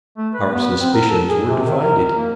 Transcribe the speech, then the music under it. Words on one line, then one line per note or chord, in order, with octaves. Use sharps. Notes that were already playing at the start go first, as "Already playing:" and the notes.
Our suspicions were divided.
A3
B4
B3
C4
A#4
A4
G#4
C3
D#3
A#4
A#4
A#3